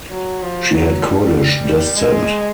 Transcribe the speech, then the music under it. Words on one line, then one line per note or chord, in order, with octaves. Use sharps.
She had Kurdish descent.
F#3
F3
F#3
G3
G#3